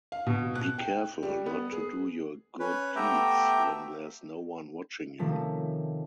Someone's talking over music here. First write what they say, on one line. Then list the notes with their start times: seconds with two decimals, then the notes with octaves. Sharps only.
Be careful not to do your good deeds when there's no one watching you.
0.12 F5
0.27 B2
0.55 F#6
0.78 G5
1.23 G3
1.46 B3
1.72 G#4
2.59 C#4 B4
2.96 A3 B3 G4 E5 G5 A#5
5.19 C3 D#3 F3 A3 C#4